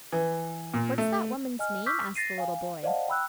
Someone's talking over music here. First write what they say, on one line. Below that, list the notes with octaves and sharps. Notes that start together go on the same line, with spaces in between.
"What's that woman's name?" asked the little boy.
E3
A#2
A3
D#5 G#5 F6
C#6 D6 E6 F6 G6 B6
A6 A#6 C7 D#7
F5 G#5
C5 D5 D#5 F5 F#5 A5
G5 B5 E6 F#6